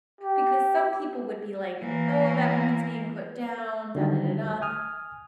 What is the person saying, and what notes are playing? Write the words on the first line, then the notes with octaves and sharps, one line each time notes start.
Because some people would be like, "Oh, that woman's being put down, da, da, da, da."
G4
E3 A#3
D3 D#3 F#3 G3
G#5 D#6 F6